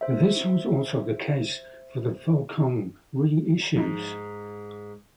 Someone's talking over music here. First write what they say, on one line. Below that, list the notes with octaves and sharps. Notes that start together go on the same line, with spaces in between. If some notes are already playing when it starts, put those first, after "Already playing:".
This was also the case for the Volcom reissues.
C5 E5
G#2 F3 D#4